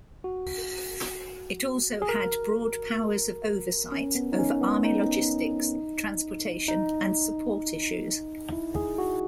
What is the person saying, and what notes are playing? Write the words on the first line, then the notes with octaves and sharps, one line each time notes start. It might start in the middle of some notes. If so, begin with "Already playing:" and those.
It also had broad powers of oversight over Army logistics, transportation, and support issues.
F#4
G#4
A#4
C#4
B3
D#4
C#4
B3
D#4
D#4
E4
G#4
F#4